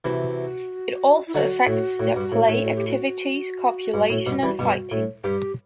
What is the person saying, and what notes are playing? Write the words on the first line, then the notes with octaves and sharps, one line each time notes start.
It also affects their play activities, copulation, and fighting.
C3 E3 F#4
E4
D3 F#3 F#4
A2
A2
G2
A2
A2
F#4
G4
F#4
G2
A2
G2 B2
E3 G3
G2 B2
A2
G2 G4